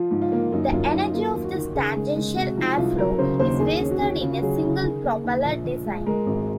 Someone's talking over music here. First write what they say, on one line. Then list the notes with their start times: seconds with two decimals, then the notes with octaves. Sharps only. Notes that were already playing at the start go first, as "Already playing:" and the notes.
The energy of this tangential air flow is wasted in a single-propeller design.
Already playing: F3 F4
0.11 G#2
0.22 F4
0.32 A#3
0.52 F#2 D#4
0.73 F#2 F4
0.93 F#2 D#4
1.14 A#3 F4
1.34 D#2
1.44 F#4
1.55 D#3
1.75 C#3 G#4
1.96 G#3
2.16 G#3
2.36 C3 F#4
2.57 F3 D#4
2.77 C2 F4
2.98 F#3 A#4
3.18 C#3 C5
3.39 D#2 C5
3.59 D#2 G#4
3.80 C#4
3.91 F#4
4.01 C#4
4.21 C#3 F4
4.33 F#4
4.42 F#3 G#4
4.62 C#3 G#4
4.83 D#3 G#4
5.04 A#3
5.24 D#2
5.44 A#1
5.65 A#1
5.86 G#3
6.06 G#3 A#4
6.26 G#1